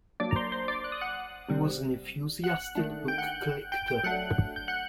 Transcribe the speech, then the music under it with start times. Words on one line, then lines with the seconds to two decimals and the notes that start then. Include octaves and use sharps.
He was an enthusiastic book-collector.
0.20 F#3 A#3 D4 D5 D6
0.31 A#5
0.36 C5 C6
0.52 C5 C6
0.68 D5 D6
0.84 F#6
0.92 D#6
1.01 F#5 F#6
1.48 C3 G3 C4
2.44 F#5 F#6
2.75 D#3 A3 D4
3.08 G5 G6
3.18 F#5 F#6
3.72 G5 G6
3.88 G5 G6
4.03 F#3 A3 D4 F#5 F#6
4.56 G6
4.68 F#5 F#6